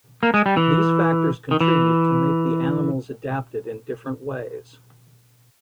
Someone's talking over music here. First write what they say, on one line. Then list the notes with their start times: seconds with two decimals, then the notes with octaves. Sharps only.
These factors contribute to make the animals adapted in different ways.
0.23 A#3
0.34 G#3
0.46 G3
0.57 E3
1.51 D#3
1.60 E3